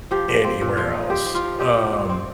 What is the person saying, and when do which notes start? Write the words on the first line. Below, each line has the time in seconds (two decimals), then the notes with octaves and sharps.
anywhere else. Um.
0.11 F3 G4
0.28 F3
0.44 C4
0.61 A#2
0.77 F3
0.94 D#4
1.10 C4 G4
1.26 C4
1.35 F4
1.43 F3
1.59 C4 G4
1.76 A#2
1.93 A#2
2.09 C4